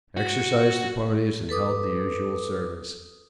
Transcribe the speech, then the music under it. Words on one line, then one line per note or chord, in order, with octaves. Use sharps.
Exercised the ponies and held the usual service.
F#4
A4 B4 D6 D#6